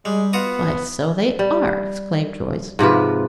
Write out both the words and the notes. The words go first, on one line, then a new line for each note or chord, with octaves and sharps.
"Why, so they are!" exclaimed Joyce.
G3 G#3
B3 F4 F#4 D#6
G3
G#2 C3 F3 B4